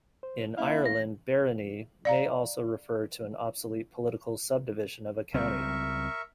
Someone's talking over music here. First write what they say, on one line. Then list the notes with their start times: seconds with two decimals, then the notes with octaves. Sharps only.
In Ireland, "barony" may also refer to an obsolete political subdivision of a county.
0.23 C5
0.57 A#3 C#4 E4 F5
0.86 A#6
2.05 D5 F5 A#5
5.34 C#2 G3 C4 A#4 E5 C#6